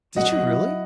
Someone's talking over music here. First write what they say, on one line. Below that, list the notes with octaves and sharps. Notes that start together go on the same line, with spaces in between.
Did you really?
F#3 D#5 F#5
E4